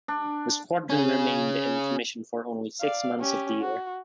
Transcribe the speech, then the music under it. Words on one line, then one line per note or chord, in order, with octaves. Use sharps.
The Squadron remained in commission for only six months of the year.
D4
C#4 G#4
D5 F5
C#4 G4
F#4